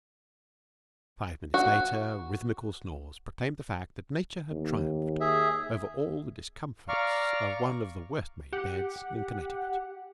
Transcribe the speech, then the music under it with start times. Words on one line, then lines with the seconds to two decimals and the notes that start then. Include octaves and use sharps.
Five minutes later rhythmical snores proclaimed the fact that nature had triumphed over all the discomforts of one of the worst-made beds in Connecticut.
1.54 F#4
4.51 D#2
5.21 G#4 E5
6.89 D5 F5 A#5 C#6 F6
8.53 G4 F#5